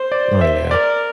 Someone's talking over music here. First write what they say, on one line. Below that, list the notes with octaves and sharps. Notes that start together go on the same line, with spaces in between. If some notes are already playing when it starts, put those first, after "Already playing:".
Oh, yeah.
Already playing: C5
D5
E5
A#4 D5